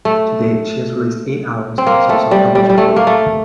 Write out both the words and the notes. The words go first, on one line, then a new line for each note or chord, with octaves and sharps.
To date, she has released eight albums and has also published a book.
A3
C4
A#3
A3
G3
G3
G3
A3
A#3
A3